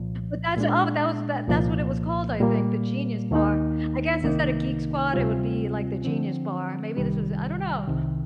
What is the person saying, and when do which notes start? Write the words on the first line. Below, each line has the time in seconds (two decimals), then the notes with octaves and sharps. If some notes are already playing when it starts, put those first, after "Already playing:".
But that's oh, that was that that's what it was called, I think, the Genius Bar, I guess instead of Geek Squad, it would be, like, the Genius Bar, maybe this was I don't know.
Already playing: C2 A#2 F3
0.57 A#2 G#3 D4
1.48 C2 A#2 F3 A#3
2.40 A#2 G3 A#3
3.31 D#2 D#3 A#3 D#4
4.22 C2 C3 D#3 A#3 D#4
5.14 D2 C3 G3 C4 F4
6.04 D3 F3 C4
6.97 C2 C3 D#3 G3
7.88 C2 C3 D#3